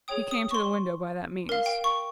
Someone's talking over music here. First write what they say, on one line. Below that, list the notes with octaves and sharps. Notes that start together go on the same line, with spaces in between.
He came to the window by that means.
G#4 C#5 G5 D#6
D#6
C#6
C6
A#4 F5
G5
C#6